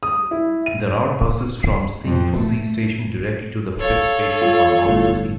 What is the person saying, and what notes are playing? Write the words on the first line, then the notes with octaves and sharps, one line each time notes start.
There are buses from Shin-Fuji Station directly to the fifth Station on Mount Fuji.
D#6
E4
D#7
F2
A3
A4 C#5 F5
F4
G1 A2